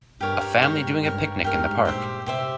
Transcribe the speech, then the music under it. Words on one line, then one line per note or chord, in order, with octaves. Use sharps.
A family doing a picnic in the park.
G2 G4 A#4 C#5
G#2 G4 A#4 C#5
G2 G4 A#4 C#5
G#2 G4 A#4 C#5
A#2 G4 C5 E5
C3 G4 C5 E5